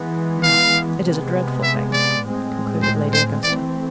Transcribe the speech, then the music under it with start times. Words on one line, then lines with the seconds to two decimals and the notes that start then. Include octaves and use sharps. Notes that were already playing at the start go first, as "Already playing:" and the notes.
"Well, it is a dreadful thing!" concluded Lady Augusta.
Already playing: E3 G#3 B3
0.43 F5
1.03 C3 G#3 B3
1.63 E5
1.92 D5
2.23 A2 G#3 C4
2.82 C5
3.13 C5
3.43 E3 A3 C4 D5